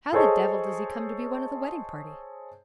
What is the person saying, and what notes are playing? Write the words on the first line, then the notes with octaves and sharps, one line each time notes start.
"How the devil does he come to be one of the wedding party?"
G#4 A4 C5 C#5 D#5